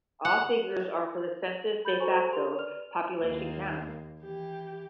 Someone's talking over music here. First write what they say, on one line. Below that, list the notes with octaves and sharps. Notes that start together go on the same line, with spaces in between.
All figures are for the census de facto population count.
F#5
B5 G6 A6
F#4 A4 C5 G#5 A#5 C#6
G4 A#4 C6 F7
B4 D5 F6 F7
D#2 A#3
E3 G4